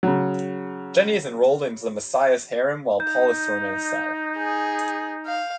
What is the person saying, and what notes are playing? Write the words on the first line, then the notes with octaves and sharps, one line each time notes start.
Jenny is enrolled into the Messiah's harem while Paul is thrown in a cell.
C#3 F#3
D#4 G6
G#4
F5